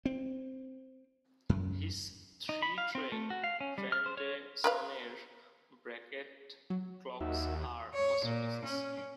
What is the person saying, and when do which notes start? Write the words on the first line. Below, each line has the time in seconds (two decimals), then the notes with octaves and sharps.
His three-train "grande sonnerie" bracket clocks are masterpieces.
0.06 C4
1.49 F#2
2.49 D#4
2.62 B5
2.78 F5
2.95 C4
3.12 A3
3.30 F#4
3.44 F5
3.61 C#4
3.78 G3
3.92 F6
4.06 C5
4.17 C#5
4.64 A#4 B4 F5
6.70 F#3
7.21 D#2 D#4 F#4 E5
7.94 C#5
8.25 A#2
8.65 C#4